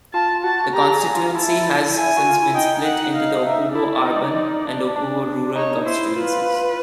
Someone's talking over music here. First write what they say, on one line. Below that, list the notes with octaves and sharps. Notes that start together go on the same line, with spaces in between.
The constituency has since been split into the Opuwo Urban and Opuwo Rural constituencies.
F4 A5
F#4 A5
F#4
G4 A#5
G#4
F4
E4 A5
G#5
F#4
F4
E4
D#4 G5
F#5
F5
E5
E4 D5
D#4
D#4
D4
D4
D#4 C#5
E4 C5
F4 B4